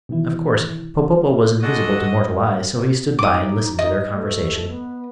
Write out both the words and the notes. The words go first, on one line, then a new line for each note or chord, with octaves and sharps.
Of course Popopo was invisible to mortal eyes, so he stood by and listened to their conversation.
B2 D#3 E3 E4
G#3 D4 F#4 A4 D#5 F#5
D#4 D6 D#6
D#5
A3
B3